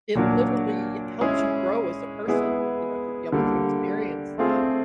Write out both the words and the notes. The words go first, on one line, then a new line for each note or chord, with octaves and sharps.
it literally helps you grow as a person, you know, to be able to experience that.
A#2 F#3 A#3 D4
G#3 C#4 E4 G#4
G#3 B3 E4 G#4
D3 G3 A#3
A3 C4 F4 G#4